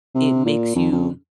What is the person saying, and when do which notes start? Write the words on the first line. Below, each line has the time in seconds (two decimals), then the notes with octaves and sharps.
it makes you
0.14 C3
0.45 A#2
0.75 F2
0.92 F2